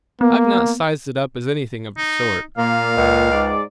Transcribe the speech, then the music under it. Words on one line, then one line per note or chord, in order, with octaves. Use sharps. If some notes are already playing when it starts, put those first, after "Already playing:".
I've not sized it up as anything of the sort.
A#3 B3
D#4
A#2 A#3 F5
C#2
G#2 G#3 D5